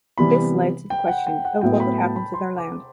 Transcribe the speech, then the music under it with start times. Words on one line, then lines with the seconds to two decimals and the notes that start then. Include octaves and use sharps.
This led to the question of what would happen to their land.
0.18 C3 E3 G3 B3 B5
0.90 G5
1.08 F#5
1.27 G5
1.45 F#5
1.61 A2 F#3 B3 E4 G5
1.80 B5
1.98 A5
2.16 B5
2.34 C6
2.58 D6